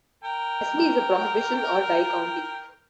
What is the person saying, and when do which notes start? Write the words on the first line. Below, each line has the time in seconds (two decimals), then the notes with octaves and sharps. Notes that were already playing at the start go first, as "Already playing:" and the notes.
Leslie is a prohibition or dry county.
0.24 A#4 G5